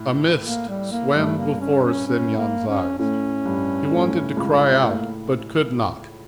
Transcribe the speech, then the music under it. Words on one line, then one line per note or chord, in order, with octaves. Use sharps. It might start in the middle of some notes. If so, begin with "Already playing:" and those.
A mist swam before Semyon's eyes; he wanted to cry out, but could not.
Already playing: A2
A#3
G3
A#3
G2 A3
A#3
C#4
C#4
C#4
A#3
C#4
A2 C#4
G2
A2
C#2 C#3
A2 A#3